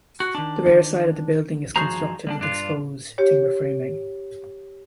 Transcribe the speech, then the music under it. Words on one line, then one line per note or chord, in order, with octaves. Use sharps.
The rear side of the building is constructed with exposed timber framing.
F#4
D#3 D4
G2 F3 F#4 G#4 C5 A#5
G3 B3 D4
G2 D4 F4
G4 C#5